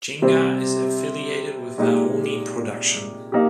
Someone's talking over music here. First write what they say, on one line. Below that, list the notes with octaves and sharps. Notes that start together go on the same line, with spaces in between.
Ginga is affiliated with Aoni Production.
C3 G3 C4
A#2 G#3 D#4 G4
A#3 D#4 G4